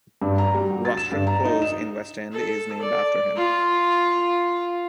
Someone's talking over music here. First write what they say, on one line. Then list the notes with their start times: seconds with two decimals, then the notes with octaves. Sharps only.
Rostron Close in West End is named after him.
0.22 G2
0.38 A#5
0.54 G3
0.71 F#4
0.85 A6
0.97 E7
1.12 G2
1.27 A#5
1.45 D#4
1.62 E7
2.32 A4
2.82 D5
3.36 F4